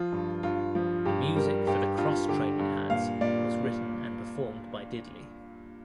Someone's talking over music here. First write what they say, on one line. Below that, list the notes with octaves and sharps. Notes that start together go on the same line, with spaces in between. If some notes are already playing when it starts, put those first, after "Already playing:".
The music for the "Cross Training" ads was written and performed by Diddley.
Already playing: F3 F4
G2
G2 F4
F3
G2 G4
G3 A#4
G2 G4
G2 F4
D3 G4
G2
A#2 F5
A#2 D5